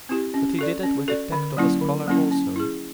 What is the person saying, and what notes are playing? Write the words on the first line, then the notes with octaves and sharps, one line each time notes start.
But he did it with the tact of a scholar also.
C4 E4 G4
C#4
F#4 A4 D5
C#4
F#4 A4 D5
D3
F#3 A#3 C#4 E4
D3
F#3 A#3 C#4 E4
C#4
E4 G#4